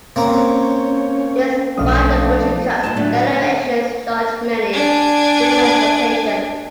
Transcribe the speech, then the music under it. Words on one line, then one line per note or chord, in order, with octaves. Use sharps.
Despite the budget cuts, "Generations" shot many scenes on location.
A#3 C4 C#4 C#5 A#5
B1 F3 A3 D4 F5 D#6
D2 A#2 G#3 A5
A2 D3 F#3 A3 D4
D3
D4 G#5